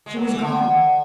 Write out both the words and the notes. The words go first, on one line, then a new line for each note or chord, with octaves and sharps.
She was gone.
G#3
F#3
E3
D3